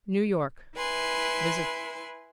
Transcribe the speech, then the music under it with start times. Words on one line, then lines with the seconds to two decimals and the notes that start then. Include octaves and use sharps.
New York-Mrs.
0.75 E4 B4 G#5 C6